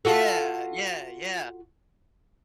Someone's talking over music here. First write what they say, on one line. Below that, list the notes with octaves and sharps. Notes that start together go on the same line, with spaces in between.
Yeah. Yeah, yeah.
F4 F#4 A4